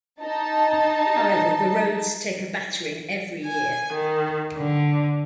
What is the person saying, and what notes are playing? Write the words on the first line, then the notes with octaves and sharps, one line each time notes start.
However, the roads take a battering every year.
D#4 A5
G#5
D#3
D3